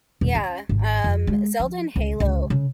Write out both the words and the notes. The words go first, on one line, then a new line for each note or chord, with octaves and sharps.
Yeah, um, Zelda and Halo
D#1
C#4
G#1
F2
G#3
F3
C#2
C#2
C#3